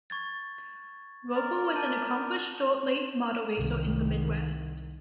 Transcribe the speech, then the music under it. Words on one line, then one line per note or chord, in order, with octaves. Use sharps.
Roper was an accomplished dirt late model racer in the Midwest.
C#6 G#6 A6
A#4 D5
A5 G6 D#7
C2 D#3